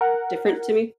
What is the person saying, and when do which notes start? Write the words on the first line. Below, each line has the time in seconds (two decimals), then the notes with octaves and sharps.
different to me.
0.01 A#4 F#5